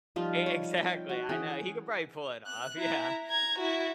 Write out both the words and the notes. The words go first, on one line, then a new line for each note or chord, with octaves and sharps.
E exactly, I know. He could probably pull it off, yeah.
F3 G3 D#4 F4
C#5
G5
F#4
E3 C#4 G#4 G5
F#6
E4 A#5
A#5 G#6
E4 F#4